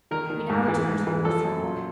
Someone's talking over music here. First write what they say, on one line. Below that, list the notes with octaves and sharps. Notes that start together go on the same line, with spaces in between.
We now return to the nursery.
D#3 A#4
D#3
G#2
E3
G#2
E3
F3 A4
F#2
A#2